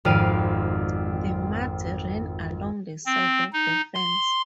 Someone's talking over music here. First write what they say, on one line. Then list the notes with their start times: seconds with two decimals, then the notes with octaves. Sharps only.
The mutt ran along the inside of the fence.
0.05 G#1 F2 D5 F5 D#7
3.06 C4
3.53 D#4
3.95 C6